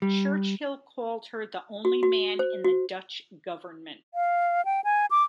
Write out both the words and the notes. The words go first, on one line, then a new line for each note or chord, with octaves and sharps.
Churchill called her "the only man in the Dutch government".
G3
F#4
F#4
C5
F#4
F5
G5
G#5
D6